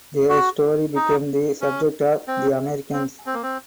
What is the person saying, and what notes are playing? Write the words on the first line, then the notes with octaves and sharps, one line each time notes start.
Their story became the subject of "The Americans".
F#4
D#4
C#4
C4
C4
C4
A#3
C4